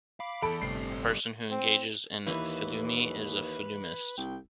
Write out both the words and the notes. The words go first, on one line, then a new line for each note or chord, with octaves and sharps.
A person who engages in phillumeny is a "phillumenist".
F5 B5 D6
E2 E4 A4 B5 C#7 D7
G1 A2 C3 G3 A4 C7
C4
D#2 E3 B4
C2 G5